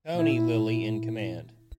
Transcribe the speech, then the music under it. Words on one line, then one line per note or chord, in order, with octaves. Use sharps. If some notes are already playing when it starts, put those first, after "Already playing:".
"Tony" Lilly in command.
A#2 E4